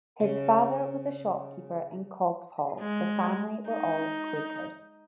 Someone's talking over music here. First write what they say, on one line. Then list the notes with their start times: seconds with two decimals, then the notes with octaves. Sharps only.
His father was a shopkeeper in Coggeshall; the family were all Quakers.
0.20 C#3 C#4
2.80 G#3
3.70 D#4